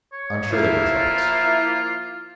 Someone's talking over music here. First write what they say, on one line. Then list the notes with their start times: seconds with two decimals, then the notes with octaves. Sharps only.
I'm sure they were trumpets.
0.12 C#5
0.52 F3 A#3 E4 F4